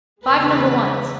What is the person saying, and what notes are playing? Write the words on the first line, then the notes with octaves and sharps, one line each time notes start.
Five number ones.
E2 C#3 G#3 B4